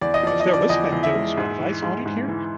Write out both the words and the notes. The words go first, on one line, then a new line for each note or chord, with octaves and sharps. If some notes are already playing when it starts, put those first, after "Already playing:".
mean, if they'll listen, I can give them some advice on it here.
E2 D5
D#5
F3 D5
D#5
F3
D5
E2 D#5
E2
E5
G#3
G#2
E3
G#2
G#2
E3